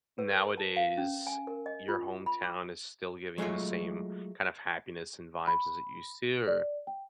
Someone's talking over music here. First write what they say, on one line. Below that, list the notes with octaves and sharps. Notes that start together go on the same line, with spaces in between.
nowadays, your hometown is still giving you the same kind of happiness and vibes as it used to or
B4
A#4
A5
F5
C#4
G#5
A#4
D#5
F4
B5
D6
F#3 G#3 A3 F4 C#5
B5
D5
G5